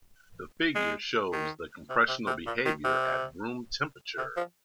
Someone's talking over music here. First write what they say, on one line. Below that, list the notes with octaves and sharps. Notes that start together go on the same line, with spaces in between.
The figure shows the compressional behaviour at room temperature.
G#3
D#3
C3
C3
C3
A#2
D#3
C3
C3
F3